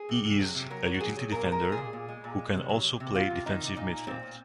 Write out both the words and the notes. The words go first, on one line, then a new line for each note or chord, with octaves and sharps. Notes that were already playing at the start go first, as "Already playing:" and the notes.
He is a utility defender who can also play defensive midfield.
Already playing: G#4
C3
C3
F#3
C3
F#3 A#4
F#3
F#4
C3 G#4
F#3
A#2 A#4
G#3
A#4
G#3
G#4
A#2
A#2
G#3
A#2
G#3
C3
F#3
C3
C3
F#3 F4
C3
D#3 D#4
C3
A#2 D#4
A#2
A#2 C4
A#2